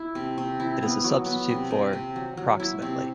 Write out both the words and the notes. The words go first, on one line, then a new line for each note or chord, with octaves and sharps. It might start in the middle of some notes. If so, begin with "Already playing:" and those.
It is a substitute for "approximately".
Already playing: E4
C3
C3
E4
B3
F#3
B3
C3
C3
C3
F#3
F#3
E4
C3